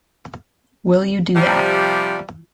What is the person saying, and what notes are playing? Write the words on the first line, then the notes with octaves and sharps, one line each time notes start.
Will you do that?
C3 F3 G3